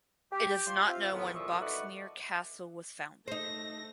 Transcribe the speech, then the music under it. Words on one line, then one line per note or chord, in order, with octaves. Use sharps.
It is not known when Boxmeer Castle was founded.
G4
F4 D5 C6
C4 F4 E5 F5
E2 A2 D#3 F3 F#3 B3
C2 A#2 F3 E5 C#6 D#6
A3 D#4 F#4 B4 D5 F#5
A3 D#4 C5 A#6